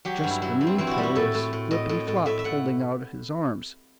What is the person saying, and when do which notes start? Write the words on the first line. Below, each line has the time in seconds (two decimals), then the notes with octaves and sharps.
Just beneath her was Flippityflop, holding out his arms.
0.05 F#3 G4
0.17 F#4
0.24 G2
0.30 E4
0.42 F#3 E4
0.61 G2
0.67 C4
0.78 E3 C4
0.87 E4 F#4
0.98 G3
1.03 F#4
1.15 A2 A4
1.35 A2
1.53 A2
1.71 A2 D#5
1.89 A2
2.08 A2
2.26 A2 E5
2.39 E5
2.44 A2 F#5